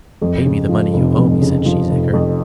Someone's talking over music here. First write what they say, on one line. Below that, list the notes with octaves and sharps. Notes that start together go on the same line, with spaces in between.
"Pay me the money you owe me," said Cheesacre.
F2
C#3
F3
F1
F2
C#3
F3
F1
F2